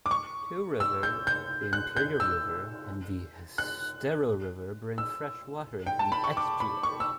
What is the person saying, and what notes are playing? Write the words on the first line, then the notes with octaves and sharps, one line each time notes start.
Two rivers, the Imperial River and the Estero River bring freshwater into the estuary.
D6
C#6
E6
G6
G6
F#6
G6
E6
F#6
E6
G5
A5
B5
C#6
D6
B5
C#6
E6